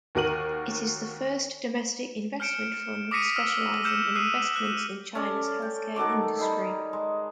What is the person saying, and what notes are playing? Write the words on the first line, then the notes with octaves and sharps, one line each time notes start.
It is the first domestic investment fund specializing in investments in China's healthcare industry.
D#2 F#4 A#4 D#7 F#7
F6 G6 C#7 D7 E7
D6 D#6 A#6 B6 C#7 D#7
E6 F6 C7
E6 F6 G6 C#7 E7
D#6 E6 F#6 C7 D#7
F#6 E7
C#4 A4 D5
G5
D#3 A3 F#4 D6
G3 D#4 G#4
G#3